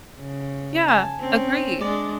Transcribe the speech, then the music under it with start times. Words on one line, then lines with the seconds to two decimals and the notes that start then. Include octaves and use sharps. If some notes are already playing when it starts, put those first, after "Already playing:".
Yeah, agreed.
0.19 C#3
0.88 G#5 A5
1.20 C4 C#4
1.81 G#3 D4 D5